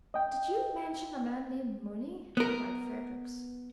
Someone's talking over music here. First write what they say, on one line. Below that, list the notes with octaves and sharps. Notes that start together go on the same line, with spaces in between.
"Did you mention a man named Mooney?" cried Fredericks.
D#5 G5
B3 A#4